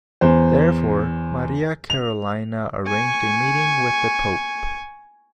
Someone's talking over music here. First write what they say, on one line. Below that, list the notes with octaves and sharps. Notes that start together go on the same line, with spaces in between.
Therefore, Maria Carolina arranged a meeting with the Pope.
E2 C5
F7
G#5 C#6